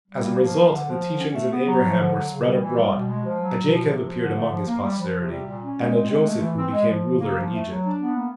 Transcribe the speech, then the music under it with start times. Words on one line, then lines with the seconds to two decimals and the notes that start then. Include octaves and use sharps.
As a result the teachings of Abraham were spread abroad, a Jacob appeared among His posterity, and a Joseph who became ruler in Egypt.
0.08 G3
0.24 A#3
0.40 F3
0.56 F#3
0.72 D3
0.88 F3
1.04 D3
1.19 C#4
1.34 A3
1.51 B3
1.66 F#3
1.82 F3
1.98 D3
2.14 F#3
2.30 C#3
2.46 G3
2.61 E3
2.77 G3
2.93 B2
3.09 G#3
3.25 F3
3.40 F#3
3.57 B2
3.72 F3
3.88 C3
4.04 F3
4.19 D3
4.35 A3
4.51 F3
4.67 A#3
4.82 G3
4.98 F3
5.14 C3
5.30 G3
5.45 A#2
5.61 C#4
5.77 G#3
5.93 C4
6.10 G#3
6.25 A3
6.40 E3
6.56 C4
6.72 G#3
6.88 F3
7.04 C#3
7.19 A#3
7.36 F3
7.51 A3
7.67 F#3
7.83 D4
7.99 B3
8.14 A#3